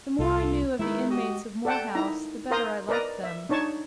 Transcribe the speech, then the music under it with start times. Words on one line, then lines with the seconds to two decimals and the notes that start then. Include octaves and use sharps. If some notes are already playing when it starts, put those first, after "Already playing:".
The more I knew of the inmates of Moor House, the better I liked them.
0.19 C2 F4 A4
0.79 D#3 G#3 E4 B4
1.10 F#4 G4 D#5
1.65 A4 D5 F#5 G5 A5
1.95 D#4 E4 A#5
2.51 A#4 C5 F5 A#5 C6 D#6
2.89 A#4 B4 D5 D#5 A#5
3.23 E5
3.49 D4 D#4 C#5 A5 C#6